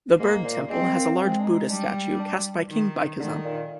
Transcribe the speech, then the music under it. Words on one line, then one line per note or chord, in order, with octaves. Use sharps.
The bird temple has a large Buddha statue cast by King Baikezan.
G#2 A#3
A#2
G#3 C4
A#3
G#3 C4
D4
D#4
G3 D4
D4
D#3
D3 D#3
A#2